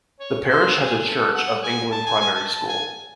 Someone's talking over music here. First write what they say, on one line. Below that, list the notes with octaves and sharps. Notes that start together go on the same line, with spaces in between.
The parish has a Church of England primary school.
C#5
C5
G#4
A4
F#5
G#5
A5
G#5
G#5
A5
A5
G#5